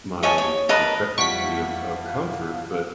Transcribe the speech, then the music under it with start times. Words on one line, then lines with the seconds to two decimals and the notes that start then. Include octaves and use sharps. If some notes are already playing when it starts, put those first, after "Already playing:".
my my boundary of of comfort, but
0.23 C#5 D#5 G#5 A5
0.38 C#5
0.69 A#4 B4 D#5 A5
1.18 F2 G3 E4 F5 F#5 C#6 B6 D7